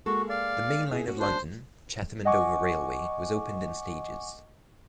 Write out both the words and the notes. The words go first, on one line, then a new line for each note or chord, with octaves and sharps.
The main line of the London, Chatham and Dover Railway was opened in stages.
G#3 A#3 F#4 A4
D5 F5
A#2 E4 G#4
A#3 C#4 F#4
D4 C5
D#5 F#5 G#5 C#6 D6